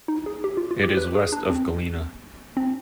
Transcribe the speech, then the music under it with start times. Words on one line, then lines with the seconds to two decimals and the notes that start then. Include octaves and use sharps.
It is west of Galena.
0.08 D#4
0.26 G#4
0.44 G4
0.57 F4
0.71 F4
0.83 G4
0.97 B4
1.15 G#4
1.32 D4
1.50 C4
2.57 C4